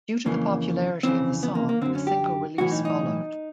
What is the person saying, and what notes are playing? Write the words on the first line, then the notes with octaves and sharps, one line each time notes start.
Due to the popularity of the song a single release followed.
F2 C#3 E3 A#3
F2 C#3 E3 C4
B3
A#3
A#3
F#2 D3 C4
C#4
G4
B1 A2 E3 F#4
D#4
D#4